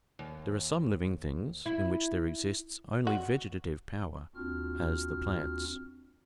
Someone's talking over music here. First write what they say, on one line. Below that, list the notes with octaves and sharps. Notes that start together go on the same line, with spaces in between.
There are some living things in which there exists only vegetative power, as the plants.
D#2
E4
F#4
D#2 C4 D4 F4 F#4 F6